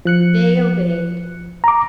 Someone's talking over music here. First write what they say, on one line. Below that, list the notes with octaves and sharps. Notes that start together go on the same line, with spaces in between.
They obeyed.
F3 F#6 C#7
A#5 D6